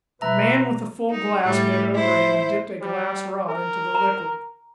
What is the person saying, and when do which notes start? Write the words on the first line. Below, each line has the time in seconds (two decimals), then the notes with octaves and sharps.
The man with the full glass bent over him, and dipped a glass rod into the liquid.
0.22 B2 B4 E5 A#5
1.11 D#4
1.43 A2 G3
1.94 E4 C5
2.81 G3
3.49 A#4
3.95 A#5